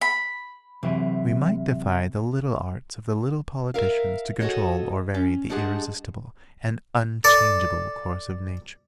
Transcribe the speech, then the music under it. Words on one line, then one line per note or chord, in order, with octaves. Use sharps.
We might defy the little arts of the little politicians to control or vary the irresistible and unchangeable course of nature.
B5
C3 E3 F#3 E5
A#4 E5 F5
F#4 G#4 A4 C#5 D#5
C#4
G3 G#3 D4 G#4 F#5 A5
A4 D5 A5